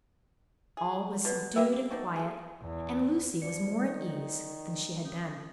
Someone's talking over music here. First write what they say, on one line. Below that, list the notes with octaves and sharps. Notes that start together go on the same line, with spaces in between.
All was subdued and quiet, and Lucie was more at ease than she had been.
G#4
B2
A#3 G4 B4 E5
D4 D#4 F#4
G#4 A4
E2
F3 D4 D5 C#7
D#3
C#4